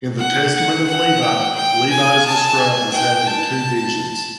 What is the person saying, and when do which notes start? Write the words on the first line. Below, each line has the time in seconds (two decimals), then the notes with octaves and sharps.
In the "Testament of Levi", Levi is described as having had two visions.
0.18 F#5
0.54 F#5
0.88 F#5
1.22 G5
1.55 G5
1.90 G#5
2.25 A5
2.58 G#5
2.93 G5
3.27 A5